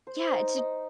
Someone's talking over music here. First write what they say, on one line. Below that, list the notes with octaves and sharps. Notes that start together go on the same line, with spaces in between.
Yeah, j
C5
D#4
D#4